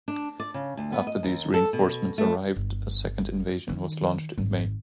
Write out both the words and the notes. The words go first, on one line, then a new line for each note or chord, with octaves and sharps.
After these reinforcements arrived, a second invasion was launched in May.
D4
D5
C#3
D2
B3
D#5
D#2
A4
B2
A3
G1
D#3
G#1